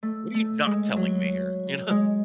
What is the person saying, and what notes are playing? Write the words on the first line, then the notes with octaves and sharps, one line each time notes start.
"What are you not telling me here?" You know?
A3
A3
G#3
F#3
G#3